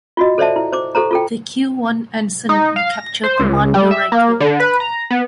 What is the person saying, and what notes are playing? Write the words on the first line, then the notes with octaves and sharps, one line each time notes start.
They kill one ensign and capture Commander Riker.
F4 F#4 D#5
A4 C5 D5 E5 A5
E4
C5 D6
G4 A4 C5 A#5
F4 A4 G5
D#4
F5
A#6
C5
C#2
G3
E5
A#3
D3
B4
A#5
B3